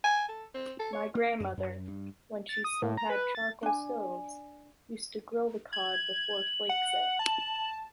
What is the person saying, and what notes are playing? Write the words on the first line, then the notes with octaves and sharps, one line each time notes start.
My grandmother, when she still had charcoal stoves, used to grilled the cod before flakes it.
G#5
A4
C4
A4
C#5
A#3
F#2
F#2
G2
A6
D#6
A2
A#5
B4
A6
D4 G#5
G#6 F#7
F#5
A5